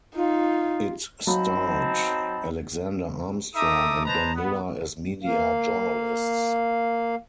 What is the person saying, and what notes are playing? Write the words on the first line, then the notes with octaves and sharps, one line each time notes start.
It starred Alexander Armstrong and Ben Miller as media journalists.
D#4 F4
F#3 C4 D#4 F5 A5 B5
D#4 A4 E5 A#5 D6 D#6
B4 C5 D#5 A5 A#5
B3
A#3 F5